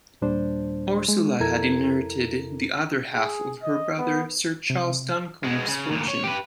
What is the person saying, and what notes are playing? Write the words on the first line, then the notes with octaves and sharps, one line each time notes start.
Ursula had inherited the other half of her brother Sir Charles Duncombe's fortune.
D#2 A#2 G3 D4 C5
G#3
F2 E4 A4 A#4 A#5 G#6
G#4
D#5
B3
C3
B2 G#3
C#3
D2 A#2
C#5
G4 B4